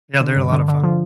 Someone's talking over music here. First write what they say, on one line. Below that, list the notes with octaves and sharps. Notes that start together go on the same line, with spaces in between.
Yeah, they're a lot of fun.
D3
G2
D3
D3
F3